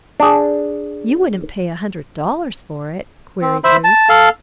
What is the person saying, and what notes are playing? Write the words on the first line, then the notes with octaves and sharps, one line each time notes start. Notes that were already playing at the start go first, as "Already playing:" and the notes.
"You wouldn't pay a hundred dollars for it?" queried Ruth.
D4 G#4
C4
C5 E5 B5
A5
A4 F5